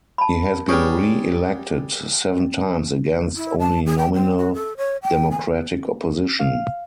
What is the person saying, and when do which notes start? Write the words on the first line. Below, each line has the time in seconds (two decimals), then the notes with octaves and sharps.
He has been reelected seven times against only nominal Democratic opposition.
0.18 A5 B5
0.69 G3 G#4 B4 C#5 C#6
3.36 E4
3.59 A5
3.86 G#4
3.98 G5
4.14 C4
4.38 F#4
4.54 A4
4.77 C#5
5.03 G5
5.31 G#5
6.39 F5